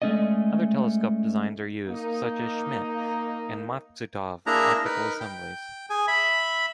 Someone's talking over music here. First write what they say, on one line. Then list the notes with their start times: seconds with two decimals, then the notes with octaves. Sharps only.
Other telescope designs are used such as Schmidt and Maksutov optical assemblies.
0.02 G#3 A3 C#4 D5 D#5
1.88 A#3 D#4
4.46 A#3 D4 E4 G#4 A#5
4.85 D#4 A#4 B4
5.21 G5
5.90 G#4 G#5
6.08 E5 B5